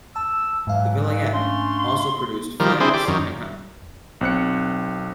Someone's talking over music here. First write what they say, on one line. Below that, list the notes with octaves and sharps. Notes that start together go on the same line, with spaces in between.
The vilayet also produced flax and hemp.
A5 E6
G#2 E3 F#3 F5
A3 C#4 D4 C6
D#3 F3 G3 A#4
C4 D4 E4 G#4 C5
G4 C5 D5
F#2 D#3
B1 C4 F#6 C#7